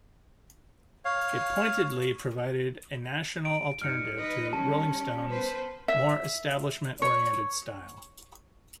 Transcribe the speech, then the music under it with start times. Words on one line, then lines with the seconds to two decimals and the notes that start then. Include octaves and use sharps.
It pointedly provided a national alternative to "Rolling Stone's" more establishment-oriented style.
1.05 C#5 F5
3.45 D7
3.82 G2 D#4 F6 C#7
4.20 D#4 B4 D#5
4.53 D#3 G3 C#4 A5
5.30 B3 B4 C5
5.88 E5
7.02 C#5